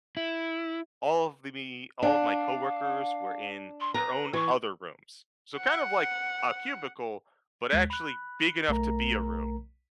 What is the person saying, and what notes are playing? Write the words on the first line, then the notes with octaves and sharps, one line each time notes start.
all of the me all of my coworkers were in their own other rooms, so kind of like a cubicle, but actually big enough to be a room.
E4
D4 F5
C6
B4 A#5
E3 C#6
F#5
D#2 G#3 F#6 B6
B5 F#6
B1 A3 A#4 A#5